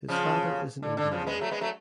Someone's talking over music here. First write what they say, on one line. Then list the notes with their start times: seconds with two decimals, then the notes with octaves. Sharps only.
His father is an engineer.
0.09 C#3 F3
0.83 D3
0.97 D3
1.11 C#3 F3
1.26 G#3 B3
1.41 F#3 A3
1.51 G#3 B3
1.61 F#3 A3